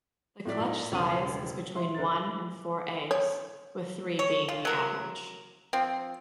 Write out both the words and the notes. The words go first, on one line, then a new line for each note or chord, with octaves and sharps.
The clutch size is between one and four eggs, with three being the average.
A2 F#3 D5 B6
A#2 D#4
E1 C#3 A5 D#7
E4 C6
D3 A#4 A6
C#5
C#5
F4
F#3 A#4
F3 C4